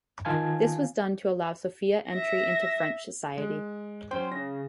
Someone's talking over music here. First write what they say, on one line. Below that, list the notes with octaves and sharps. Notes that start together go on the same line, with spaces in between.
This was done to allow Sophia entry into French society.
D#3 F4 F5 G#5 A5 G#6
E5 A#6
G#3
F#3 C#4 C5 G5
C#3 A#6